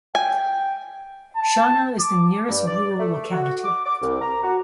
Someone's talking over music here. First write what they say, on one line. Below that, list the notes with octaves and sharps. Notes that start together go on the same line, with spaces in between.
Shana is the nearest rural locality.
G5 G#5
A5
D6
G2
D5
A3
F#4
D6
D6
C2
A#5
F#4